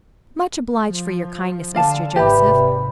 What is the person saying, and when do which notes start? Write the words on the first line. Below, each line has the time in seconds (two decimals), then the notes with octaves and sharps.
Much obliged for your kindness, Mr. Joseph.
0.87 F3
1.75 D3 D5 F5 A5
2.16 G#1 C3 G4 B4 D5 E5 B5